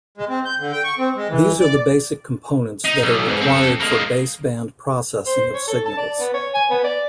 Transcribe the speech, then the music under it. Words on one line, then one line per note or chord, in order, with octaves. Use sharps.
These are the basic components that are required for baseband processing of signals.
G#3
C4
G6
D3
G5
C#6
C4
G#3
E3
D5
D#4
B1
G#2
C4 A4
G#3 A#3
C5
C#5
A4
A5
D5
B3
C#5
G#5
B3
D5